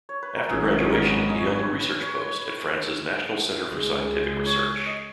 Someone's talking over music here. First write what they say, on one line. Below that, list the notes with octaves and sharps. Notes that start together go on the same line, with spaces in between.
After graduation, he held a research post at France's National Center for Scientific Research.
C#5
B4
A#4
G#1 G#2 D#3 F#3 C#4 G#4
A#4
B4
D#5
C#5
B4
C#5
C#5
B4
C#2 C#3 G#3
C#5
D#5